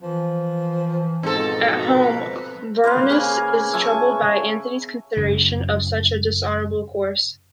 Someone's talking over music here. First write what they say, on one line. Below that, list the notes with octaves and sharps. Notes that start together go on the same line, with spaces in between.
At home, Vorenus is troubled by Antony's consideration of such a dishonorable course.
E3 F3
G#2 B2 F3 C4 A4 A#5
B4
A#3 B4 C5 F5
C#3 G#5
E5 G#5 A5 C#6
F#2 C#3